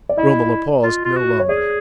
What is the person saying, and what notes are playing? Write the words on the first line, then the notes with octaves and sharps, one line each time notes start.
Romola paused no longer.
D5
E4 D#5
F4
F4
F#4
C#5
G#4 D5